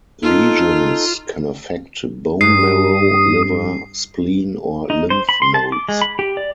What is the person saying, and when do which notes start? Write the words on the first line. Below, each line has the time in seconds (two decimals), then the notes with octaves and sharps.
Lesions can affect bone marrow, liver, spleen, or lymph nodes.
0.23 D#4 F4 A4
2.41 G2 D#6 C7
4.90 D#4
5.10 C5
5.29 B5
5.42 C6
5.54 A5
5.72 D6
5.89 G#3
6.01 B5
6.19 G4
6.37 D5